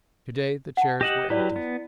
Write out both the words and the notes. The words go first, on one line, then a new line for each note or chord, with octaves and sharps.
Today the chairs were empty.
F#5 A5
G4 D#5 F#5 A#6 E7 F#7
F#3 E4 G4 B4 D5
B3